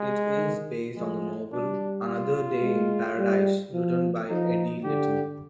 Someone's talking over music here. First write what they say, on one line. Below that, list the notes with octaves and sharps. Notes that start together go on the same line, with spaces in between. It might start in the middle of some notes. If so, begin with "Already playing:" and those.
It is based on the novel "Another Day in Paradise" written by Eddie Little.
Already playing: G#3
D#3
F3 G#3
G3 D4
F4
G#3
G3
F3
F3 D#4
D3 G4